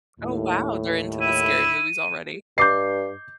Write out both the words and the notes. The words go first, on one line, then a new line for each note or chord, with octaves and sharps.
Oh, wow, they're into the scary movies already?
D#2 A2
E4 D#7
G2 D#5 D6 G6 C7